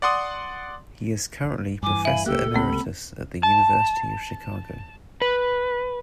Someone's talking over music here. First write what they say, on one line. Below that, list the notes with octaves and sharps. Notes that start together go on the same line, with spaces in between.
He is currently professor emeritus at the University of Chicago.
D5 F#5 C6 D#6
G2 E3 G#5 D6
E5 F5 B5
C#2 A#3 G4 A4 F#6
C#2 C3 A3 A#3 C4 B5
A5
B4